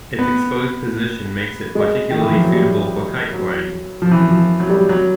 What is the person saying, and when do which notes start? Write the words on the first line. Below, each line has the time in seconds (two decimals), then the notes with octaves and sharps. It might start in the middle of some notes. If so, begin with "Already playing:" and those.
Its exposed position makes it particularly suitable for kite flying.
0.19 B3
1.75 G#3
2.11 D#3
2.21 E3
2.32 F3
2.43 F#3
2.54 G3
3.33 F#3
4.02 F3
4.11 E3
4.31 F3
4.60 F#3
4.69 G3
4.89 F#3